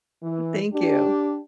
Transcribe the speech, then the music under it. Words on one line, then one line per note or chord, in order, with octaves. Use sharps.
Thank you.
E3
D4 G4